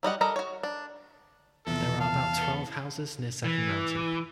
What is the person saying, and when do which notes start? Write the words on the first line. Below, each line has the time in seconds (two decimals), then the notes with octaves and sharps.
There are about twelve houses near Second Mountain.
0.03 F#3 G3 D#5 F#5
0.21 G3 A4 A#4 D#5 A#5
0.36 F#4 C#5
0.63 D4
1.67 E2 C3 F3 A4
2.00 F5 A5
2.38 B3 A4
3.44 E3